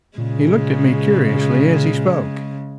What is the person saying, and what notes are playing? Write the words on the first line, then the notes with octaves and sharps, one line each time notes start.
He looked at me curiously as he spoke.
A#2 C#3 G#3